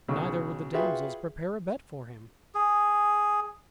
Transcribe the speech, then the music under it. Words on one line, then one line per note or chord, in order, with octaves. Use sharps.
Neither would the damsels prepare a bed for him.
B1 C#3 F#4
F4 F#4 G#4 B4 E5 G5
G#4